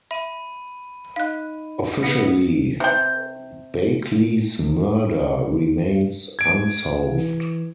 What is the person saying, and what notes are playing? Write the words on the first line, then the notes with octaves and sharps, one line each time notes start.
Officially, Bakley's murder remains unsolved.
E5 B5 D#7
D#4 D#5 F5 F#6
B3 A#6 C#7
C3 G5
G#6 D7
E3